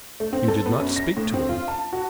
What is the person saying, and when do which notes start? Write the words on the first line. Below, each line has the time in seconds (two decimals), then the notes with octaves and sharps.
'You did not speak to him.'
0.20 A3
0.33 C4
0.48 A4
0.66 B3
0.80 F#2
0.96 A#6
1.17 A2
1.34 C4
1.49 F4
1.68 A5
1.93 F#4